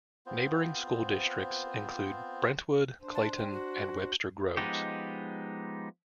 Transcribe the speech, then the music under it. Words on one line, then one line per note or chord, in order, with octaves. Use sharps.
Neighboring school districts include Brentwood, Clayton, and Webster Groves.
B3 C4 F4 C5
D4 C5
A5
G5
F#4
F3 G#3 B3 D#4 G4